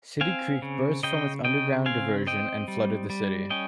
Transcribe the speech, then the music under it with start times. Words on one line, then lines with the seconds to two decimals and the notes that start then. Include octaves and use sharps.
City Creek burst from its underground diversion and flooded the city.
0.21 C4 F5 G#5
0.62 C#3
1.03 C#3 D#5 G5
1.44 C#3 D#5 G5
1.86 C4 F5 G#5
2.27 C4 D#5 G5
2.68 G3
3.10 G3
3.50 C#4 D#5 G5